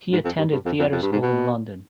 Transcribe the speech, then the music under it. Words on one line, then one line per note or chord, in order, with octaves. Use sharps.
He attended theatre school in London.
G#2
F2
G2
G2
F2
F2
F2
G2
G#2
B2